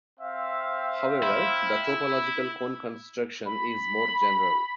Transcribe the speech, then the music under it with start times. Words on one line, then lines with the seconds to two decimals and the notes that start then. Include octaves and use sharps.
However, the topological cone construction is more general.
0.19 C4 E5 F5
1.23 E4
3.46 B5